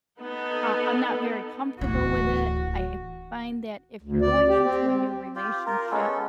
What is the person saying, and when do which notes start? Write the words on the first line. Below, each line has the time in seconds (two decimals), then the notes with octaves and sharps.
Uh, I'm not very comfortable with it. I find that if you're going into a new relationship
0.19 B3 D#4 A4
1.81 D1 E3 F#4
4.02 D2
4.22 D5
4.48 G4
4.63 C4
5.36 F4 G4
5.66 F4 A#4
5.91 G#3 B3 C#4 A4